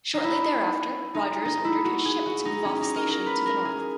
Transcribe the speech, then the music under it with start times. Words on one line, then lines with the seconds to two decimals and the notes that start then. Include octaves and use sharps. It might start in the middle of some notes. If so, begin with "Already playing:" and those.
Shortly thereafter Rogers ordered his ship to move off station to the north.
0.14 D#4
0.24 E4
1.15 D#4
1.45 D#4
1.65 E4
1.85 F#4
2.05 G#4
2.26 F#4
2.45 D#4
2.65 C#4
2.81 D#4
2.96 A#4
3.11 A#4
3.26 B4
3.46 A#4
3.65 G#4